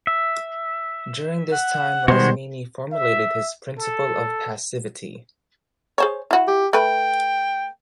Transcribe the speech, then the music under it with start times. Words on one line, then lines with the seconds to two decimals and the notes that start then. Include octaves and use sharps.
During this time Rosmini formulated his "Principle of Passivity".
0.07 E5
1.52 F#5
2.08 B2 D#3 G3 G#3 F#4 C5
2.92 E5
3.77 A4
5.98 G#4 C5 C#5
6.31 E4 F#4
6.47 G4
6.73 A3 B4 G5